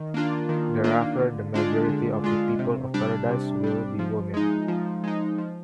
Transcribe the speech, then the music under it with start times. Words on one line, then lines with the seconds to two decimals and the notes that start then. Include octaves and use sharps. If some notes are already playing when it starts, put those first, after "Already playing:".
Thereafter the majority of the people of Paradise will be women.
Already playing: D#3
0.14 A#3 D4 F4
0.49 D#3
0.84 A#3 D4 F4
1.19 D3
1.54 G#3 D4 F4
1.89 D3
2.24 G#3 D4 F4
2.59 C3
2.94 G3 D4
3.29 C3
3.63 G3 D4
3.99 F3
4.34 G#3 D#4
4.68 F3
5.04 G#3 D#4
5.38 F3